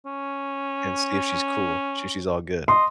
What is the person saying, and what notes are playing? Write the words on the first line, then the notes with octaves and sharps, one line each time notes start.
and see if she's cool. She she's all good.
C#4
D#5 C6